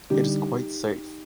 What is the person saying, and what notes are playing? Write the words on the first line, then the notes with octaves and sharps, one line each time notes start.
It is quite safe.
D3 G3 D#4 G4